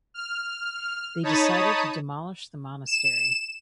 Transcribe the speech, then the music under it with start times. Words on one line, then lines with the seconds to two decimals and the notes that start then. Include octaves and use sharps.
They decided to demolish the monastery.
0.14 F6
1.23 D#4 C#5 A5 B5 D#6
2.87 E7